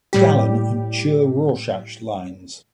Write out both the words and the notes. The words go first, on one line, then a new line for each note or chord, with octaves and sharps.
Gallen and Chur–Rorschach lines.
A2 G3 G4